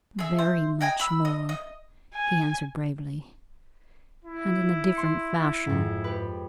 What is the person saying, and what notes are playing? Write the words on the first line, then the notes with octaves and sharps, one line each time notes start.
"Very much more," he answered bravely, "and in a different fashion."
G#4 E5
C5
D#5 G5 G#5 A#5
B5 E6
D#5
D#5
G#5
E4
C6 C#7
F2 G#2
G4 B4